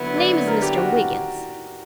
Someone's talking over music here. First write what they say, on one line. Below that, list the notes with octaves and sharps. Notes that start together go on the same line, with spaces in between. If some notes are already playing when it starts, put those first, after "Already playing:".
"Name is Mr. Wiggins."
Already playing: D3 F#3 B3 E4
D5
A#4
G4
F#4